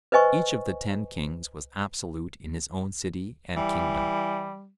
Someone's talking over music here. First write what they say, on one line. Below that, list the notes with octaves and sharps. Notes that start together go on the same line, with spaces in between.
Each of the ten kings was absolute in his own city and kingdom.
B4 C5 D#5 G#5 C#6
E3 G3